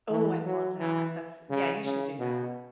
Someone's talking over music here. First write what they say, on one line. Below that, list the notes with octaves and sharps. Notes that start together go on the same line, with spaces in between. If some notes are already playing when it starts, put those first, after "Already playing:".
Oh, I love that, that's yeah, you should do that.
E3
F#3
E3
C#3
C#3
B2